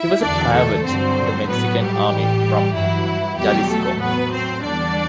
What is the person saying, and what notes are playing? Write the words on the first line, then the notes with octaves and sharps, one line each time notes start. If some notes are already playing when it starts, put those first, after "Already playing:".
He was a private in the Mexican army from Jalisco.
Already playing: E4 E5
E2 D3 F#3 D4 D5
A3 A4
G2 D3 F#3 C4 C5
A2 F#3 B3 B4
G3 G4
A2 E3 G3
G2 E3 F#3 E4
E2 B2 F#3 G3 G4
A3 A4
A2 F#3 B3 B4
C4 C5
E2 D3 G3 D4 D5